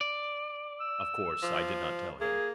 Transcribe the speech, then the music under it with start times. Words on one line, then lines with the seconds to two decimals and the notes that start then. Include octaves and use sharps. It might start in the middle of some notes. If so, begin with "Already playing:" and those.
Of course I did not tell him.
0.01 D5
0.80 E6
1.42 F3
2.21 A#3 G#4